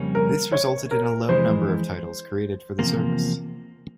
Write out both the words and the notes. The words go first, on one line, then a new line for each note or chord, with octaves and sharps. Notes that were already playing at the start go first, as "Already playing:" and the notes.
This resulted in a low number of titles created for the service.
Already playing: F2 C#3 G3 A#3 C#4
A#4
C#5
A#4
F2 E3 G#3 C5
E2 C3 F3 A#3